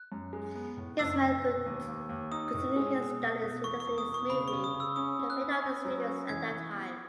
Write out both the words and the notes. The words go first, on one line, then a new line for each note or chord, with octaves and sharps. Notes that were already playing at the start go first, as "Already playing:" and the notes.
Ismail could continue his studies relatively smoothly compared to other students at that time.
Already playing: F#6
F#2
G#3
B3
A2
F#1 E6
F#1
B2
D#2
D#2
D#2
D#4 D#6
A2
G#3
B2
B2
B2
E2 C#6
C#6
E2
D#6
B2
C#6
C#3 B5
C#3 C#6
D#6
C#3
E6
C#4 D#6
C#4
F#6
C#4
C#4
F#3
C#4
E3 G#6
E3
B3